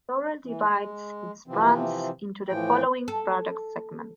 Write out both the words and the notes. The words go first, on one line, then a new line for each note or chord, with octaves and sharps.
Dorel divides its brands into the following product segments.
E3
G#3
C3 E3 F3 C4
A2 E3 F3 G5
A4